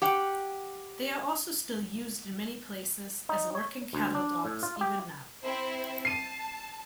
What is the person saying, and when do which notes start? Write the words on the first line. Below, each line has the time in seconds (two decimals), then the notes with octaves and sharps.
They are also still used in many places as working cattle dogs even now.
0.02 G4 F#5 G5
3.29 D#4
3.55 C#5
3.93 D2
4.15 D4
4.45 A2
4.63 F4
4.81 G4
5.40 C4 E4 C5
6.05 A5 C7 D#7